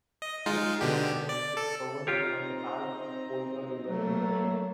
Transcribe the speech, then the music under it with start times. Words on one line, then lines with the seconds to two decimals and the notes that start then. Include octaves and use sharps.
This animal was discovered on the banks of the Volga River in Russia.
0.22 D#5
0.46 G#3 D#4 F4
0.81 B2 D3 G4
1.29 D5
1.57 A4
2.07 C4 D#4 F4 G4 C#5 A#5
3.87 F#3 A3 A#3